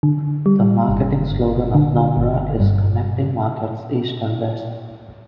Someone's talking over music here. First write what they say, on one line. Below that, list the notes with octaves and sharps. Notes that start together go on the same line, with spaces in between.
The marketing slogan of Nomura is "Connecting Markets East and West".
D3
G3
G1
G1
D3
G1
G2